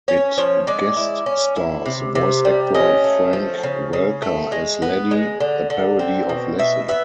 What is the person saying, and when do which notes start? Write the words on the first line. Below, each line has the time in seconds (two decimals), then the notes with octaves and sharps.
It guest stars voice actor Frank Welker as Laddie, a parody of Lassie.
0.08 C#4 C#5
0.38 F3 C#5
0.67 G#3 D5
0.96 E4
1.26 C#4
1.56 E4
1.86 C3
2.15 C3
2.45 G3
2.74 C#4 D#5
3.04 A3
3.33 F3
3.63 C#3
3.93 C#3
4.22 A3
4.52 G#3
4.82 B3
5.11 G#3
5.40 D3
5.70 D3
5.99 C4
6.29 B2
6.59 B2 E5
6.88 B3 E5